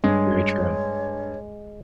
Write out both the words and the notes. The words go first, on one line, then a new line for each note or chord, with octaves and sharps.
very true.
G2 G#3 C#5